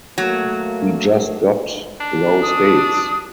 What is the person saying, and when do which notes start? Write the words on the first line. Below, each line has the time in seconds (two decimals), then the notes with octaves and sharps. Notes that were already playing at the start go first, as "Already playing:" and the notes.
We just got those dates.
0.18 F#3 A3 A#3
2.00 D4
2.43 D#6